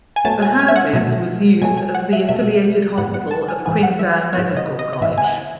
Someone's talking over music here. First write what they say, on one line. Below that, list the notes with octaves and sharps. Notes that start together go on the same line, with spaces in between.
The houses was used as the Affiliated Hospital of Qingdao Medical College.
G#5
B2 F#3 A3 A5
G#5
G#5
E5
F#5
B2 F#3 A3
B2 F#3 A3 G#5
G#5
F#5
E5
B2 F#3 A3 E5
G#2 E3 B3 F#5
F#5
A5
G#5
G#2 E3 B3 G#5
F#5
E5
G#2 E3 B3 C#5
D#5
D#5
D#5
G#2 E3 B3 E5
G#5
F#5